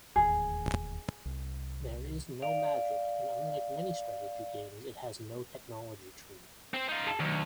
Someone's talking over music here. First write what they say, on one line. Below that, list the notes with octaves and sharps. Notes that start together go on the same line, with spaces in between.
There is no magic, and unlike many strategy games, it has no technology tree.
E1 D#2 A2 G#4
C2
D5 F5
C4 C5
D#4 F4
G#4 A5
D2 D#3 F#3